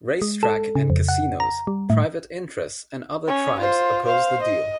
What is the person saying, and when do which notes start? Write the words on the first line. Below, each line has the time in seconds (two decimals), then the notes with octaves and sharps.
Race track and casinos, private interests and other tribes opposed the deal.
0.22 G#3
0.43 A4
0.75 C#3
0.90 F2
1.08 F#5
1.40 A#5
1.67 G3
1.90 A2
3.27 C#4
3.60 F4 C5
4.05 C5 F5
4.43 D#5